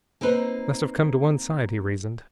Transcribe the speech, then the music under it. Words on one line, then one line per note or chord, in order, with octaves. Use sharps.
"Must have come to one side," he reasoned.
A#3 C4 D#4 B4